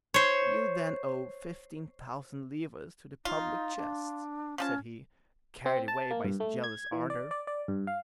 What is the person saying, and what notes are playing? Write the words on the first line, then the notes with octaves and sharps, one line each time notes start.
"You then owe fifteen thousand livres to the public chest," said he, carried away by his jealous ardor.
C5 C#5
D#4 F4
D4
F3 C#4 G#4 A5
C4
A5
A#3
G2
A3
G#6
E3
D5
D5
D5
G2
F5